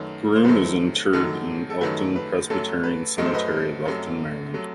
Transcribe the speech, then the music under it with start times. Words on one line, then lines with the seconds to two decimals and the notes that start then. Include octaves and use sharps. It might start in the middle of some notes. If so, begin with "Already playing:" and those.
Groome is interred in Elkton Presbyterian Cemetery of Elkton, Maryland.
Already playing: F#2 D#3 F#3 A3 B4
0.36 C5
0.45 F#2 D#3 F#3 A3 B4
1.13 F#2 D#3 F#3 A3 A4
1.70 A4
1.81 F#2 D#3 F#3 A3 B4
2.16 B4
2.50 F#2 F#3 A3 A4
2.84 B4
3.18 F#2 F#3 A3 D#5
3.26 C5
3.34 B4 D#5
3.86 F#2 F#3 A3
4.54 F#3 A3